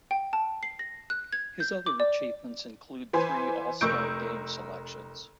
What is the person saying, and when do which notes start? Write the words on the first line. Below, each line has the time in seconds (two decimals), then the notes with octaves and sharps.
His other achievements include three All-Star Game selections.
0.11 G5
0.33 A5
0.63 C7
0.79 A#6
1.10 F#6
1.33 G#6
1.60 G6
1.86 D6
2.00 D5
3.13 E3 B4 C5 G#5
3.81 F1 A#4 C#6 E6 G6 D7